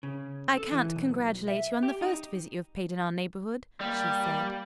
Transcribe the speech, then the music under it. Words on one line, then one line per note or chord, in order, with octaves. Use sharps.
"I can't congratulate you on the first visit you have paid in our neighborhood," she said.
C#3
A4
E3
B1
E5
G4
D#4
G3 A#3